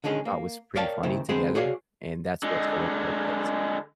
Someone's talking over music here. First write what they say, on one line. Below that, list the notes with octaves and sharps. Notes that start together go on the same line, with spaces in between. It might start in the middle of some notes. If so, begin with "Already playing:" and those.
thought was pretty funny together and that's what sort of helped us,
D3 D#3 G#3 C#4 G#4
A#3
A#4 C#5 D5 F5 G5 A5
D#2 C#3 E4 C5 G5
D3 G#3 C4 G#4 B4 C5
F#4 G#4 C#5 D5 F5
D3 G#3